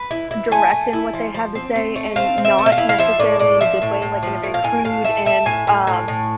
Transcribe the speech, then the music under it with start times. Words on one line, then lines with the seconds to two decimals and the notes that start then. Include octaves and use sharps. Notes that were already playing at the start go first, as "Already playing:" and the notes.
direct in what they have to say, and not necessarily in a good way, like in a very crude and, um,
Already playing: B4
0.11 E4
0.31 E4
0.51 A3 G#5
0.73 A3
0.93 E4
1.13 F3
1.34 F3
1.55 C4
1.76 C4
1.96 A3
2.16 C4 F5
2.38 C4
2.45 E5
2.58 A3
2.66 E5
2.72 F5
2.78 E4
2.89 F5
2.98 F3 E5
3.19 A2 D5
3.39 A2 D5
3.61 F3 E5
3.82 A2
4.02 A2
4.23 F3
4.43 A2
4.54 F5
4.64 A2 G#5
4.84 A2 F5
5.04 A3 E5
5.25 A3 E5
5.46 A2 G#5
5.67 A2
5.87 A2
6.08 A2